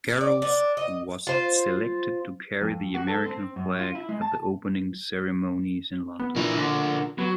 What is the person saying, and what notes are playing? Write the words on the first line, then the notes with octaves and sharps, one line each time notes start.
Garrels was selected to carry the American flag at the opening ceremonies in London.
D5
D4
D#5
F4 C5
F2
F#4
A4
C4
F#2
F4
E4
G#3
A5
B3
A#2 E3 D4 F4 A#4
D3
F#3 B3